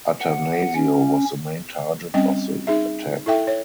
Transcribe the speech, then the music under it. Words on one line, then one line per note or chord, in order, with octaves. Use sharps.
Attanasio was the main target of the attack.
F#5
C#4
G3 C4 C#4 D#5 G5
D#4 G#4 E5
E4 A4 E5 G5
C#5